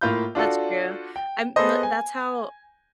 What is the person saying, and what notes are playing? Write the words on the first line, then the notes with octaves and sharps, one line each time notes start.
That's true. I'm the that's how
A2 A#3 F4 F5 B5 G6
D4 F4 F#4 A4
G5
B3 G#4 A4 B4 C5 D#5
G#5